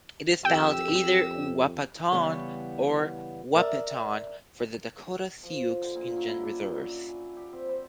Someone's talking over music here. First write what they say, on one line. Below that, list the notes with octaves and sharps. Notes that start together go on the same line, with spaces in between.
It is spelled either Wahpaton, or Wahpeton for the Dakota Sioux Indian reserves.
F2 G4 G5 E6
C#3 E3 G3 B3 C#5
A#4 D5 E5
F3
D3
A#2
F#2
E4
D4
F#2
G#5
G4
C4
C5